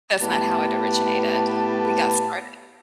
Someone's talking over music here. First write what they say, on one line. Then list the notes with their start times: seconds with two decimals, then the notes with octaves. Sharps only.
That's not how it originated. We got started.
0.21 A2 B3 G4 B4 A5